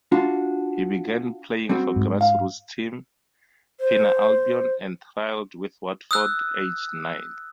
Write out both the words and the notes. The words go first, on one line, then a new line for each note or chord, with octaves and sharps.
He began playing for grassroots team Pinner Albion and trialled with Watford aged nine.
D4 F4 F#4
G3 C4 F#4
G#2
F5
C5
D#6 E6 F#6